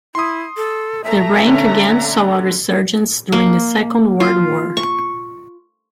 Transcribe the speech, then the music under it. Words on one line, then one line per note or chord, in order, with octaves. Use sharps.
The rank again saw a resurgence during the Second World War.
E4 C6 D#6
A4
A3 E5 A#5
D3 C#4
A#3
F4
C#6